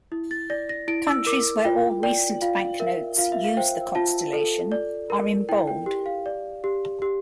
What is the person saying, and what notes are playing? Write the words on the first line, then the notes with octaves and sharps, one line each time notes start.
Countries where all recent banknotes use the constellation are in bold.
E4
A6
D5 A#6
A#6
E4 D7
E6
A#4 D6
F4 G5
D5 G5
F4 F5
A#4 E5
F4 F5
E5
F5
C5 G5
F4 A5
A4
D5
A#4
E4 G5
G5
G4
F5
D5
G4
G4